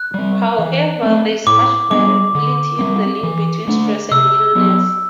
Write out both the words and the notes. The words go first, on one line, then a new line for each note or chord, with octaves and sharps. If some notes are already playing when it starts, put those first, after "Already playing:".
However, there is much variability in the link between stress and illness.
Already playing: F#6
G3 C4
E3
A3 C4
A2 D6
G3 B3 D4 D6
D3
G3 C4
E3
A3 D4
C3 E6
F#3 B3